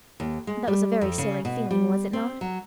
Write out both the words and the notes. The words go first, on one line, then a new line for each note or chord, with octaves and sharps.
That was a very silly feeling, was it not?
D#2
G#3
G3
F2
C#3
B2
G3
C4
F#3